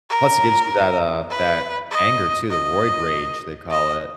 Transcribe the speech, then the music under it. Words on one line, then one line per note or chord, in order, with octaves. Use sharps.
Plus it gives you that, uh that anger too, the roid rage, they call it.
A#4
B4
D#5
D#5
D#5